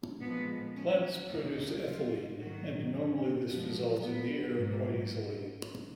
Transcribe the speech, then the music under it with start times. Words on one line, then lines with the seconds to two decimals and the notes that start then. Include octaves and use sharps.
Plants produce ethylene, and normally this dissolves in the air quite easily.
0.20 A#2 F3 G#3 B3
0.75 C#4
1.30 D#2 C#3 F#3 D#4
1.84 F4
2.39 G#2 D#3 F#3 F#4
2.93 C#4
3.48 F#2 F3 G#3 B3
4.03 B3
4.57 G#2 F#3 A#3